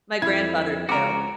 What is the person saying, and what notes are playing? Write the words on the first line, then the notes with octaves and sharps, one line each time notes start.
My grandfather too.
F2 E4 G#6
C#2 C4 F#4 A#4 A#5 D6